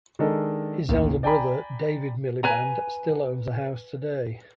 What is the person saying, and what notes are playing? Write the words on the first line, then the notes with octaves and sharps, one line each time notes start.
His elder brother, David Miliband, still owns the house today.
D#3 G#3 D4 A4 A#4 D#5
A1 D#2
D5 G5 G#5 A#5 B5
B4 G#5 A#5